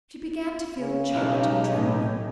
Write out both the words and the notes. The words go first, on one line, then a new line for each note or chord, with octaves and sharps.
She began to feel choked and trembling.
C#3
B1 D#4 G4
A2